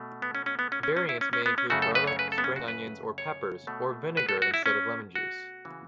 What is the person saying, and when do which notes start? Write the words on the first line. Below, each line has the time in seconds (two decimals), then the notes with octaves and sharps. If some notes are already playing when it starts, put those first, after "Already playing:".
Variants may include garlic, spring onions, or peppers, or vinegar instead of lemon juice.
Already playing: B2 A3
0.22 B3
0.35 C#4
0.46 C#4
0.59 B3
0.72 C#4
0.83 C#4
0.97 C#4
1.09 E4
1.21 C#4
1.33 C#4
1.46 B3
1.58 C#4
1.70 F#2 C#3 A3 F#4
1.82 A4
1.95 B4
2.07 C#5
2.19 B4
2.32 A4
2.38 B3
2.44 C#4
2.56 F#4
2.68 B4
3.18 C#5
3.67 B2 A3
4.17 B4
4.29 A4
4.42 F#4
4.54 E4
4.66 C#4
5.15 F#4
5.65 C#3 E3